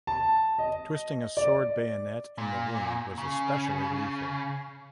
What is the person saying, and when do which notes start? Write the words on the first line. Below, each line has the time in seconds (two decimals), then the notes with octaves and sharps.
Twisting a sword bayonet in the wound was especially lethal.
0.07 A5
0.59 D#5
1.37 D5
2.38 A#2
3.18 C#3